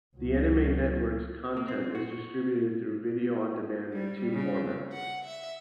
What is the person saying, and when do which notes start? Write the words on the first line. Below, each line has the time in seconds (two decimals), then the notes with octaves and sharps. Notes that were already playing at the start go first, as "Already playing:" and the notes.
The Anime Network's content is distributed through Video On Demand in two formats.
0.17 C#2 F#3
1.57 A#3
1.68 C4
1.95 F#4
3.93 G3
4.33 C#3
4.92 F#5
5.25 E5